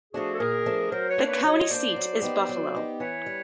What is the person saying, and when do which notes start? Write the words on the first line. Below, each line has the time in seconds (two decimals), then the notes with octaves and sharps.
The county seat is Buffalo.
0.14 F3 A3 D4 F#4 G#4
0.35 A4
0.39 A#2 G#4 A#4
0.66 F3 A3 D4
0.91 F#3 A#4 C5
1.09 B4 C#5
1.18 A#3 D4
1.27 B4 C#5
1.44 F#3 C#5 D#5
1.70 A#3 D4 C5 D5
1.96 F#3
2.22 B3 D#4 G4
2.49 F#3
2.75 B3 D#4 G4
3.00 E3 B4 C#5
3.26 G3